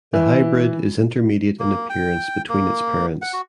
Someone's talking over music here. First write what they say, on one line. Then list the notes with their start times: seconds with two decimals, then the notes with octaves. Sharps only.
The hybrid is intermediate in appearance between its parents.
0.13 E3
1.59 A#3
1.90 G5
2.49 A#3
3.22 F#5
3.33 F#4